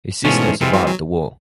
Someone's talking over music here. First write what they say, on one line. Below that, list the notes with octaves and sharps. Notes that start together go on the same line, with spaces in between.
His sister survived the war.
G#2 B2 E3 A3 C#4 F4
C3 E3 G#3 C4 F4
F#3
F#3